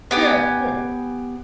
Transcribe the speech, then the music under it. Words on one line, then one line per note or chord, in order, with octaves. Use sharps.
Yeah, yeah.
B3 G4 G#5